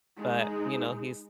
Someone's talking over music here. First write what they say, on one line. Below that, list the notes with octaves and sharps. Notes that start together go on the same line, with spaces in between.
But you know, he's
G#3 D#4